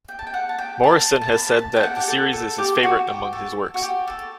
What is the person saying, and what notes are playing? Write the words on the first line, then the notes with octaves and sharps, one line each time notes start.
Morrison has said that the series is his favorite among his works.
G5
A5
G5
F#5
A5
G5
A5
A5
B5
A5
A5
G5
F#5
G4
A4
A4
G4
G4
F#4
G4
A4
F#4
G4
A4